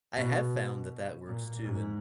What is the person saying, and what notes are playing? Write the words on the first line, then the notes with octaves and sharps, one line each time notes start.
I have found that that works too, and
B2
A#2
G#2